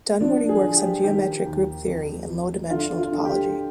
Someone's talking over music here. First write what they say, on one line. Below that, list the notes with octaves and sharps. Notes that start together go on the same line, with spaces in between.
Dunwoody works on geometric group theory and low-dimensional topology.
F3 D4
G#4
F3
G4
D#3 G4
D#2
F2
F2
D3 F4
F4
D3
G4